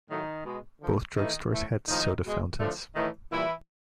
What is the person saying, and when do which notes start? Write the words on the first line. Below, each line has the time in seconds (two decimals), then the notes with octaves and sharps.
Both drugstores had soda fountains.
0.09 A2 D#3 F#3 A3 D#4
0.45 B2 G#3
0.80 D3 F3 A3
1.17 A2 D#3 E3 A3 D#4
1.52 A2 E3 A3
1.87 A2 D#3 F3 G#3 D#4
2.24 B2 G#3
2.59 A2 D3 F3 A3 D4
2.95 A2 D#3 E3 A3 D#4
3.31 A#2 E3 G3 E4